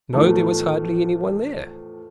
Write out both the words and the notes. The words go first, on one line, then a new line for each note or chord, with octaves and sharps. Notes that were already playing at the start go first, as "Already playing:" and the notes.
No, there was hardly any one there.
E2 A2 D#3 F3 A3